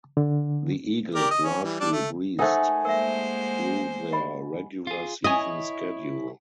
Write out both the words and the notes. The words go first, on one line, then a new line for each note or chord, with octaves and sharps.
The Eagles largely breezed through their regular season schedule.
D3
G4 A#4 D5
D#5
C#4
E3 G3
G3 D4 D5
A3
A3 D#4 A#4 C5 F#5 G#5 A5
G#3 A#3 A#4 C5 E5
G4 D#5 B5
F4 G#4
E4 C#5 D#5 G#5 D#6